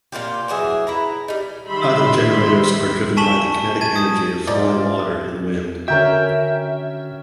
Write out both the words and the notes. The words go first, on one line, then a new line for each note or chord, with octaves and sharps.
Other generators are driven by the kinetic energy of flowing water and wind.
A#2 D#3 F4 G4
E3 F#3 G#4 E5
E4 B4 A#5
G3 D#4
D#3 G3 E5 B5 C6
G#5 A5 C#6 B6 E7 F#7
C#6
A5 G#6 A6 D#7
D#6
G#2 F4 D5
D3 C#4 F#4 A#4 E5 G5